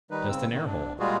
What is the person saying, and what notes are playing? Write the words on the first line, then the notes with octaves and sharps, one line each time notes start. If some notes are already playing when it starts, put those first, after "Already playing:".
Just an air-hole.
D#3 G3 D#4 B4
C#3 C4 E6
D#3
D4
A#2 G3 G#3 F4 F#4 G#4